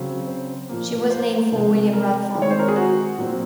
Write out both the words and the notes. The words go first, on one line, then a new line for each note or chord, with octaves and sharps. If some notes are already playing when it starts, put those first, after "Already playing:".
She was named for William Radford.
Already playing: C#3 F#3 C4
C5
A#2 F3 A#3
C5
C3 F3 G#3
A#4
D#3 G#3 C4
C#5
C5
A#4
G#4
F#4
A#2 F#3 C4